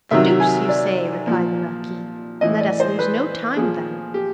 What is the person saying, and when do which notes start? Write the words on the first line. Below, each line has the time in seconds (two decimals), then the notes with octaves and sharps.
"The deuce you say!" replied the marquis, "let us lose no time, then!"
0.11 C3 D#3 F#3 E5
0.40 G#5
0.69 D5
1.27 A#2 F3
2.41 A2 E3 D#5
2.61 D5
2.80 C5
2.99 B4
3.56 A#2 F3 G#4
4.14 G4